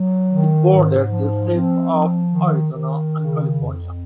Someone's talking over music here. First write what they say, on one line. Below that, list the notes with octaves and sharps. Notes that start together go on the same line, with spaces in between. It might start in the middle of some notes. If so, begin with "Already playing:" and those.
It borders the states of Arizona and California.
Already playing: F#3
D#3
G#2
F3
C4
F3
D#3
D#3
C#3
F2